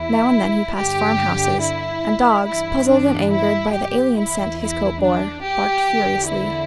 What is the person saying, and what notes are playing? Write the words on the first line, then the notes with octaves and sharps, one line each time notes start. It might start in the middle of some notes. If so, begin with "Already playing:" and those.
Now and then, he passed farmhouses, and dogs, puzzled and angered by the alien scent his coat bore, barked furiously.
Already playing: E2 E3 E4
G2 D3 G4
E4
G2 E3 E4
D4
E4
G4
E2 E3 E4
E4
D4
G4
E2 D3
E4